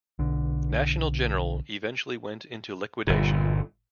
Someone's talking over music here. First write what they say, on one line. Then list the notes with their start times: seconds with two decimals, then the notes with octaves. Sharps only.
National General eventually went into liquidation.
0.19 B1 D3
3.07 G1 A#2